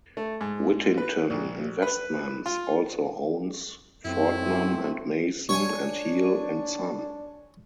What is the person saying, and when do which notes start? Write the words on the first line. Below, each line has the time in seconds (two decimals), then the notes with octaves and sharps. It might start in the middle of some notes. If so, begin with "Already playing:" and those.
Wittington Investments also owns Fortnum and Mason and Heal and Son.
0.17 A3
0.41 G#2
0.98 B4
1.30 A#1
1.82 B4
2.46 F4
4.05 C#2 F#2 A3 C4 E4 C5
5.49 D4 C#5 G#5